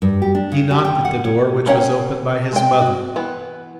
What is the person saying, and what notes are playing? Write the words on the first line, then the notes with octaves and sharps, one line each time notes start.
He knocked at the door which was opened by his mother.
G2
G4
D4
C#3
G4
G5
F#5
C#5
A#3 C#4 C#5 F#5 G5
G#3 G5
F#4
E3 B3